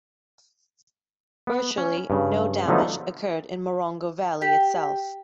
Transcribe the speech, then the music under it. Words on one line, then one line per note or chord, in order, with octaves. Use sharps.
Virtually no damage occurred in Morongo Valley itself.
B3
C#4
G2 C#3
D3 F3 F#3 A3 B3 D#4
G4